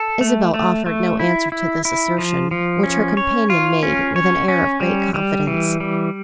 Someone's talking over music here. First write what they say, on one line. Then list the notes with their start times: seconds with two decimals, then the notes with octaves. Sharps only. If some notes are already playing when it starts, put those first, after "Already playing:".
Isabel offered no answer to this assertion, which her companion made with an air of great confidence.
Already playing: A4
0.21 A3
0.54 A3
0.86 A3
1.20 E4
1.52 E4
1.85 E4
2.18 F3
2.51 F3
2.83 C#4
3.17 C#5
3.50 F4
3.83 C#4
4.16 C#5
4.48 C#4
4.81 G3
5.14 G3
5.47 E3
5.80 G3